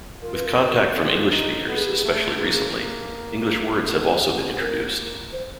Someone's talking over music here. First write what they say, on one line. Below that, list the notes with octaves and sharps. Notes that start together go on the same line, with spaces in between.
With contact from English speakers, especially recently, English words have also been introduced.
F4 A#4
B4
A#4
F#4 B4
A#4
F4 A4
D#4
B3 A4
G#4
G4
G#4
A3
A#3
A#3
B3 A4
A#3 A#4
C5